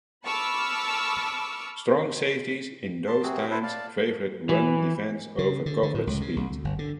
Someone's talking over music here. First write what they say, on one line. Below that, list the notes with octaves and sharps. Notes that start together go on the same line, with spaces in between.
Strong safeties in those times favored run defense over coverage speed.
A5 B5 C#6 D6 E6 F6
A5 C6
C3 C4 F#4 G#4
E4 A4 B4 C5
D5 F5 A5
E3
C#3
D3
D3
A2
C#2
C#3
C2
D2
G1
D3